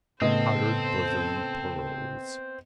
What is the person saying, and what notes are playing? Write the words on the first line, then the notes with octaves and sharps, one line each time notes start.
Powdered bosom pearls.
A2 C#3 B3 C4 A4 C5 D#5